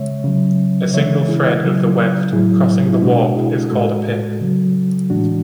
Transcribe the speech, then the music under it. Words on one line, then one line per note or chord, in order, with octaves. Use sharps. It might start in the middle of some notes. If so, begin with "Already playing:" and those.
A single thread of the weft, crossing the warp, is called a "pick".
Already playing: C#3 G#3 C#5 E5
C#3 F#3
C#3 E3 G#3 C#5 E5
E4 G#4
C#3 F#3
A2 F#3 E4 G#4
E4
B2 G#3 D4 F#4
E4 G#4
A2 G#3 F#4 A4
C#3 F#3
A2 E3 G#3 D4 F#4